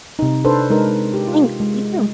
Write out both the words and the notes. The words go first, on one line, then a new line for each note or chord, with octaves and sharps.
Thanks, you too.
C3 D#4
D4 A4 B4 C5
G#3 D#4 A#4 B4
G4
F4
G#3